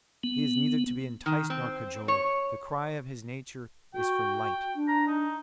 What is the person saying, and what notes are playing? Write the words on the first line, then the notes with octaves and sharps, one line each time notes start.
He is neither to be enticed nor cajoled. The cry of his nature is for light.
B3
D#3
C4
C#5
F#4 G5
D4
A#5
D#4